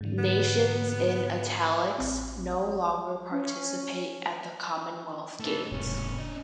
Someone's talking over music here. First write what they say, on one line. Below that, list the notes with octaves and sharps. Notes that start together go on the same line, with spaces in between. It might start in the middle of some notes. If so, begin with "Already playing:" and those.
Nations in "italics" no longer participate at the Commonwealth Games.
G#2 D3 E3
B3
A1 C4
C#4
E3 A3 D#4 A4
E1 G#2 C3 C#4
D4 D#5